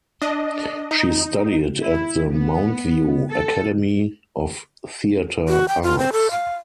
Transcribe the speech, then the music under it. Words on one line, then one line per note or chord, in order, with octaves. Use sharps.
She studied at the Mountview Academy of Theatre Arts.
D4 D#5
D#4
E4
B3
A4
F#4
G5
F4
C4
A4
F5